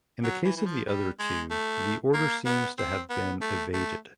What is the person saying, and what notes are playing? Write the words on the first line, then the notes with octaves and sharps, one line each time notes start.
In the case of the other two the order seems to have been evaded.
F#3
E3
E3
F3
G3
G#3
A3
A#3
B3
C4
B3
A3
A3